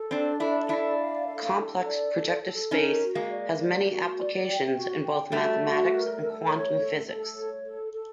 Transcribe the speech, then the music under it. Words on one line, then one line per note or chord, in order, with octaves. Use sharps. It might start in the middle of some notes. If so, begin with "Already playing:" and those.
Complex projective space has many applications in both mathematics and quantum physics.
Already playing: A4
C4 D4 D5
D4 E4 A4
D4 E4 D5
F5
A4
A4
D5
A4
A4
C#4 D#4 A#4
F#4
G#3 A#3
D5
D5
F#4
D5
G5
F#4
G5
G3 A3 F#4
F#4
A#4
A4
C#5
A4
A4
C#5
A4
A4